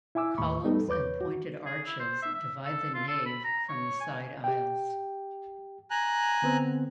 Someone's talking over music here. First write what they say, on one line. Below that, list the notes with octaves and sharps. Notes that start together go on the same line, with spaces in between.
Columns and pointed arches divide the nave from the side aisles.
E4 E5 G#5 D6 E6
D#2 A2 B5 C#6
G3 B3 D#4 A4
E2 B4 C#5 D6 G6
F#4
G#4
E4
C5
E5
E5
A4
F4
A4
B5
A#5
C#5
G#5
G4 G5
G#5 A#5 F#6
D3 B3 C4